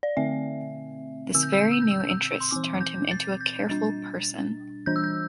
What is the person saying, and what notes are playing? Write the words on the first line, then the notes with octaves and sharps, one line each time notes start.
This very new interest turned him into a careful person.
D5
D3 A3 C4 E5
D3 C4 E6
G6
E6
G6
E6
G6
E6
G6
E6
C6
E3 C4 D6
G6
A6
G6
G3 D4 A6
E3 G3 D4 G6
E6
G6